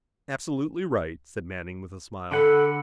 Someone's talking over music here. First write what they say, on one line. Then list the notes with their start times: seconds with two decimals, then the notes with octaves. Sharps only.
"Absolutely right," said Manning with a smile.
2.31 D3 A4 F#5 B5